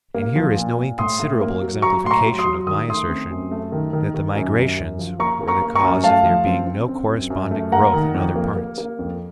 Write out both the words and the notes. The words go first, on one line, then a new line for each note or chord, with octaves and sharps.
And here is no inconsiderable exemplification of my assertion that the migrations were the cause of there being no correspondent growth in other parts.
A#3
F3
A#2
A#2
A2 C6 D#6
A2
A#3
F#3
F#3 A#5 C#6
A2 C6
A#5 C#6
F#3
C6 D#6
F#3
D#3 D#6
A3 C6 D#6
C4
F#2
A3
D#3
D#3
D#3
F#2
F#2
F#2
F3
A#3 A#5 C#6
A#3
A#5 C#6
A#3
A#5 C#6
F#2
A3 F5 A5
F3
C4
C4
C4
F#2
F#2
A3
A#3 F#5 A#5
D#3
F2
A#3
A#3
A#3
F2